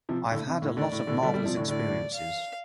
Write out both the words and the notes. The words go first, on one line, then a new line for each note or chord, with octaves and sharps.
I've had a lot of marvellous experiences.
C3 F3
A2 D3
C3
A2
A2 D3 D5
A2
A2 D3
D3 G3
D3 G3
C3 F3
A2 D3
A2 D3 D5
F5